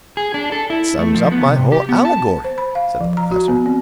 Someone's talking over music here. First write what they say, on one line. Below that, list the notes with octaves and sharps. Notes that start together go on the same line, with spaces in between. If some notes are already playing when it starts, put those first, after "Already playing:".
"It sums up my whole allegory," said the professor.
G#4
D4
A4
E4
A3
F3
B3
C3
G4
B3
A5
C5
B5
F5
F3
A#5
F#4
B3
C4